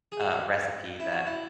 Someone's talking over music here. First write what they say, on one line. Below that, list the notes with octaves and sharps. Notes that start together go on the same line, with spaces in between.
uh, recipe that
G#4
F#4
E4
F#4
E4